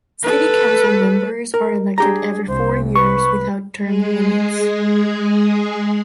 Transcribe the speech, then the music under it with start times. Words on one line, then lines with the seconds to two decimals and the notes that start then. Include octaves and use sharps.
City council members are elected every four years, without term limits.
0.23 A4 B4
1.54 A#4
1.98 D4 G4 G#4 A#5
2.48 C2 C5
2.96 B4 C#6
3.78 G#3 G#4